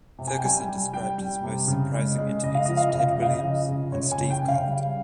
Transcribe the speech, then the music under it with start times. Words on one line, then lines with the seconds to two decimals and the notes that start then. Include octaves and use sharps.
Ferguson described his most surprising interviews as Ted Williams and Steve Carlton.
0.19 C3
0.27 G#5
0.36 G5
0.44 G3 G#5
0.69 G3
0.93 G3 G5
1.18 G3
1.44 C3
1.68 C#3
1.94 G#3
2.18 G#3
2.43 C#3 D#5
2.55 F5
2.66 F3 D#5
2.77 F5
2.89 C#3 D#5
3.00 F5
3.12 D#5
3.18 C#3 F5
3.34 D#5
3.42 F3
3.68 C#3
3.92 C#3 C#5
4.11 G#5
4.18 C#3
4.30 G5
4.43 C#3
4.48 F5
4.67 G3